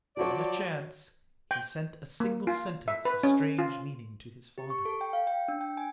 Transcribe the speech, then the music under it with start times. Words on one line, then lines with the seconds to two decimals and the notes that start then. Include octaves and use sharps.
On a chance, he sent a single sentence of strange meaning to his father.
0.17 F3 F#3 F#4 C#5 D5
1.51 G5
2.20 A#3
2.47 F4
2.88 E5
3.05 B4
3.23 C#4
3.59 F4
4.58 G4
4.70 C#6
4.85 A4
5.01 G5
5.13 F5
5.27 G5
5.48 D4
5.61 G5
5.77 G#5